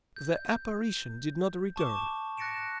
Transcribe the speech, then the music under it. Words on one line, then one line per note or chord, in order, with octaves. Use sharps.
The "apparition" did not return.
G6
A5 C#6 D6 E7
F#6 A6 A#6 C#7 D7 E7